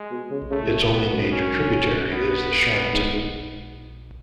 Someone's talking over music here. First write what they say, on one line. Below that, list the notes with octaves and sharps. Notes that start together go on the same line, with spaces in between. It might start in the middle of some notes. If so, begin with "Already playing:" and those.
Its only major tributary is the Charentonne.
Already playing: G#3
B2
C#3
C#3 A3
A2
B2
A2 B3
F#2
C#4
B3
G#2
G#2